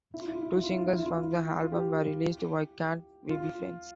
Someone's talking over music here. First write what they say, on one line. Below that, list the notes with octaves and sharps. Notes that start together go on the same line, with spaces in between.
Two singles from the album were released: Why Can't We Be Friends?
E4
F4
E4
F4
E4
F4
E4
F4
E4
F4
E4
F4
E4
F4
E4
F4
G4
F4